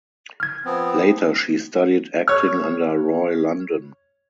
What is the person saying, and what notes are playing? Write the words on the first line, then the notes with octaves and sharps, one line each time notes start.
Later, she studied acting under Roy London.
F6 G#6
F3 B3 C4
C#5 F6